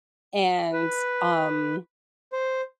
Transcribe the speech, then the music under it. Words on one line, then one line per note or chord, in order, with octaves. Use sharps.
And, um,
B4
C5